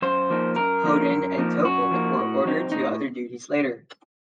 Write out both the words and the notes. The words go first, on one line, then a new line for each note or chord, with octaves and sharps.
Hoden and Toeppel were ordered to other duties later.
F#2 C5
F3 A#3 D#4
F#2 A#4
F3 A#3 D#4
F#2
F3 A#3 D#4
F#2 F#4
F3 A#3 D#4
A2
F#3 C4 D#4
A2 D#4